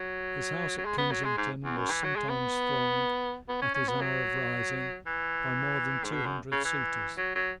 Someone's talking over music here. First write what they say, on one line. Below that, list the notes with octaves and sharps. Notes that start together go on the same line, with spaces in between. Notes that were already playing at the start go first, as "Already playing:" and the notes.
His house at Kensington was sometimes thronged, at his hour of rising, by more than two hundred suitors.
Already playing: F#3
F#3
G#3
B3
F#3
G#3
G#2
E2
F#2
E3
F#3
G#3
B3
B3
C#4
C#4
B3
F#3
E3
G#2
B2
F#2
C#3
E3
F#3
F#3